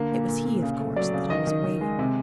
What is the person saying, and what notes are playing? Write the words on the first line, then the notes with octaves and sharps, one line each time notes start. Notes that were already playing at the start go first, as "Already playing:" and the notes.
It was he, of course, that I was awaiting.
Already playing: D3 A#3
A#2
A#2
A#2
C#3
A3
F#3 D5
C#3
D#3 D#5
D#3
D#3
G#3
C3